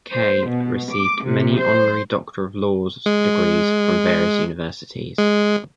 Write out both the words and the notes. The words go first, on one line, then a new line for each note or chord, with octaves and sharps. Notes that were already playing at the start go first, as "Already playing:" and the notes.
Kaye received many honorary Doctor of Laws degrees from various universities.
C5
B2
D6
C3
C5
G#3
G#3